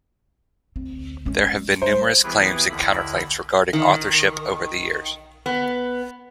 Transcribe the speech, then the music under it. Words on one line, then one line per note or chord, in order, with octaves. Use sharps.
There have been numerous claims and counterclaims regarding authorship over the years.
D2 C4
G#3 C#4
G3 C5
E3 B3 E4 G4 G#4 B4
D#2 D3 E4 B5
D#3
B3